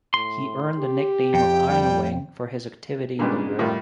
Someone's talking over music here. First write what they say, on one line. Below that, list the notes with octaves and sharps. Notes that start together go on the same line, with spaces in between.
He earned the nickname of "Iron Wing" for his activity in the war.
A2 C6
G4
F2 G5
G3
A#2 C#3 G3 G#3 B3 D4
A2 D#3 G3 F4